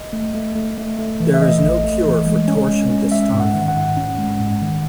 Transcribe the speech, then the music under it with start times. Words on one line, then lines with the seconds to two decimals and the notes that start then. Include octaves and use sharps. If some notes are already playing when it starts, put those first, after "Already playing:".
There is no cure for torsion dystonia.
Already playing: D#5
0.13 A3
0.35 A3
0.56 A3
0.77 A3
0.99 A3
1.20 E3
1.34 E5
1.41 A3 D#5
1.62 A1
1.84 A3
2.06 E3
2.26 G#3
2.48 C#4
2.70 G#3
2.90 C#4
3.12 G#3 E5
3.33 G#2
3.40 F#5
3.54 D#3
3.68 F#5
3.76 G#2
3.97 C#4
4.18 G#3
4.39 G#2
4.61 D#3